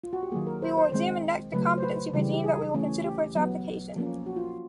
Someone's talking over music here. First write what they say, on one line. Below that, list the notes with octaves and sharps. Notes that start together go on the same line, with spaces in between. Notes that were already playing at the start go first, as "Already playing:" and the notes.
We will examine next the competency regime that we will consider for its application.
F4
F#4
G4
D#3 F#3 A#3 G#4
A#4
C5
C5
D#3 G#3 C4 C5
C#3 F#3 A3 B4
C5
B4
C#3 E3 G3
G4
G#4
E3 A3 C#4
G4
F#3 B3
F3 A#3 C#4
F#4
F4